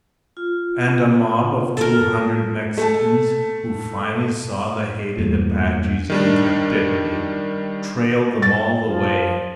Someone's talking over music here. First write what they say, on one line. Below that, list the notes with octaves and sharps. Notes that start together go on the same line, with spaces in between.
And a mob of two hundred Mexicans, who finally saw the hated Apaches in captivity, trailed them all the way.
F4
A4 A#4
A3 A5
E2 G2 A#2 A3
D#3 G3 D4
A6
F3